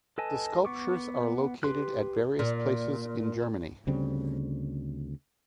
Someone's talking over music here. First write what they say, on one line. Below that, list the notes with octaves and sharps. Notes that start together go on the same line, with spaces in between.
The sculptures are located at various places in Germany.
A4 B4 D#5 G#5 A5
B3 C#6 D6
G4 B4 C6 F#6
A#2
D2 C#3 G3 C4